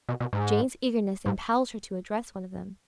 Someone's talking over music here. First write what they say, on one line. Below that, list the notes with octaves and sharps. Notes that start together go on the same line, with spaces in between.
Jane's eagerness impelled her to address one of them.
B2
B2
G#2
G#2